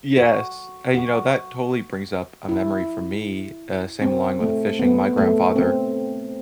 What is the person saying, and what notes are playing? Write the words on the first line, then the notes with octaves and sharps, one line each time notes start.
Yes. And you know, that totally brings up a memory for me, uh, same along with the fishing, my grandfather,
F#4
F#4
E4
C4
A3
B3
A3
C4